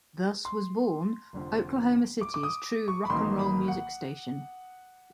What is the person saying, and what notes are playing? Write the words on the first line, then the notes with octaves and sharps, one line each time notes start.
Thus was born Oklahoma City's true "Rock N' Roll" music station.
C6
F1 F2 D3 F3
D6
D6
D#6
C#6
B5
A1 G#2 D#3 F#3 A#3 C6
B5
F#5